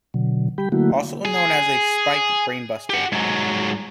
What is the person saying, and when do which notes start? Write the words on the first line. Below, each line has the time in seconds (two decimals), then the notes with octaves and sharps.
Also known as a spike brainbuster.
0.14 B2 D3 F#3
0.58 G3 G4 G5 B5
0.72 D3 F#3 A3 A#3 E4 F#4
1.25 G#4
2.90 G4 F#5
3.12 G#2 F#3